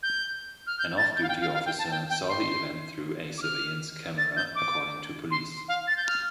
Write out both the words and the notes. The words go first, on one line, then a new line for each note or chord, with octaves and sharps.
An off-duty officer saw the event through a surveillance camera, according to police.
G6
F6
G6
A6
G6
F5
G5
F5
F5
G5
A5
G5
G5
C6
D6
F6
A6
G6
D6
C6
F5
A6
G6
F6